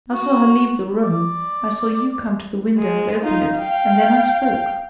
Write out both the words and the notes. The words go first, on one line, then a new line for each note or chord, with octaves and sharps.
I saw her leave the room; I saw you come to the window and open it, and then I spoke.
F#4
D5
G#3
D#4 F4
F5 G5